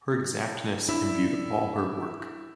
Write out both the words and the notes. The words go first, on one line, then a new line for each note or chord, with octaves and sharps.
Her exactness imbued all her work.
D4 E4